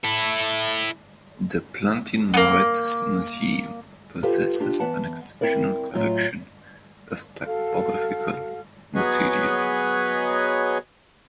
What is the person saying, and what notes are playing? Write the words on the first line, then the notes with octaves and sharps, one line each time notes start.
The Plantin-Moretus Museum possesses an exceptional collection of typographical material.
E4 A4
A#3 B3
F4 G4 A4 B4 C5 F5
D4 F4 G4
E3 B3 F#5 A5
C4 E4 A#4 D5
A2 F#3 F4 D#5 G5
F#4 A4 F5 F6
F#3 B3 G#4 B4 C#5 D#5